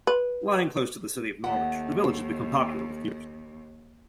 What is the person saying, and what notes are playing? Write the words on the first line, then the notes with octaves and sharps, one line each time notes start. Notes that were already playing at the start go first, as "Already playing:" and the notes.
Lying close to the city of Norwich the village has become popular with commuters.
B4
D#2 A3 F#5